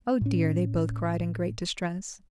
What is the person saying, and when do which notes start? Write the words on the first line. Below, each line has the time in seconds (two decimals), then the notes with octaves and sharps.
"Oh, dear!" they both cried in great distress.
0.21 A2 C#4